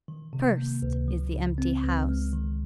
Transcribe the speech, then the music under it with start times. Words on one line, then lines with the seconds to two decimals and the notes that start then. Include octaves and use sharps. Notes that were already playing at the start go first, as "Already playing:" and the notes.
"Cursed is the empty house!"
0.08 D#3
0.33 C3
0.57 A#3
0.82 C#2
1.08 F3
1.33 C#3
1.58 C4
1.83 C#2
2.09 G#3
2.33 D#3